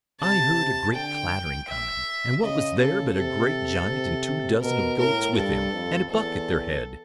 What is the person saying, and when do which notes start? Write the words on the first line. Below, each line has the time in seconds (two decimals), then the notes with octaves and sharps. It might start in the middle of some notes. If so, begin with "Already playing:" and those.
I heard a great clattering, coming, and what was there but a great giant and two dozen of goats with him, and a buck at their head.
0.21 C3 A5
0.94 D3 G5
1.68 E5
2.42 C#3 D#5
2.79 C#3 A4
3.15 C3 A4
3.89 C3
4.62 B2 A#4
4.98 A2 A#4
5.35 G2 A4
5.73 F2
6.10 E2 A4